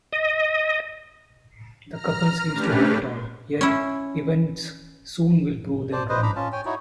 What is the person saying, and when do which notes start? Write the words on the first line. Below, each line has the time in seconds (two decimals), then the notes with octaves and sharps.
The couple seems to have it all, yet events soon will prove them wrong.
0.13 D#5
1.91 A#5 F6
2.53 A3 C#4 D4 G4 B4
3.61 C#4 E4
5.92 C5 D5 A5
6.09 B4 C5 D#5
6.23 D4 A#5 B5 D6
6.36 C#4 F4 A5
6.52 C#5 G5 G#5
6.65 D#4 E4 F#4 C#5